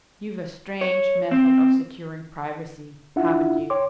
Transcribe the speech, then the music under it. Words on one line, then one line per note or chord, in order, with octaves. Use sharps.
You've a strange method of securing privacy, haven't you?
C#5
C4
D4 E4 F4 E5 F#5
C#5 G5 C6 D6